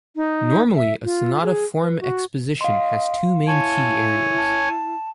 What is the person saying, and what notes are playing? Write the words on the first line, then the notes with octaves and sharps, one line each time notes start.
Normally, a sonata form exposition has two main key areas.
D#4
E5
F4
G#4
B4
F#4
D#5 F5 C6
E4 C#5 G#5 A5
A5